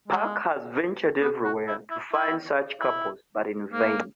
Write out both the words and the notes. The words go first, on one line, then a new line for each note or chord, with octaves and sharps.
Puck has ventured everywhere to find such couples, but in vain.
G#3
B3
F#4
E4
E4
E4
E4
A#3